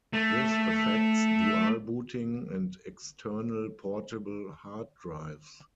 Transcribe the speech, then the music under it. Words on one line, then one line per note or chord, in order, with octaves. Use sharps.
This affects dual-booting, and external portable hard drives.
A3